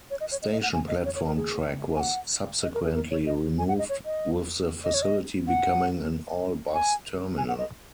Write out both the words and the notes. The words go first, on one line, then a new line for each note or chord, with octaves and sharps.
Station platform track was subsequently removed with the facility becoming an all-bus terminal.
C#5
D#5
C#5
D#5
D#5
F#5
G#5
D#5
C#5
C#5
A#4
G#4
G#5
F#5
D#5
A#4
G#4
A#4
C#5
D#5
G#5
F#5
D#5
C#5
D#5
D#5
C#5
D#5
F#5
G#5
G#5
F#5
D#5